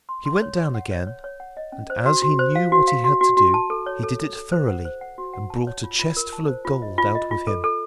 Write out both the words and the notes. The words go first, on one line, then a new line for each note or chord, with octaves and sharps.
He went down again, and as he knew what he had to do, he did it thoroughly, and brought a chest full of gold out with him.
C6
C6
C#5
C#5
F#5
C#5
C#5
C#5
F#5
D#5
C#4
C5
F#4
F#4
C5
F5
F#4
F5
F#4
F#4
F#4
A5
A4
C#5
A4
A4
A4
C5
F#5
C5
F#5
F#4
F#5
A5
C#5
F4
F4
A#4
A5
C5
F4
D#5
F4
D#5
F4
A4
A4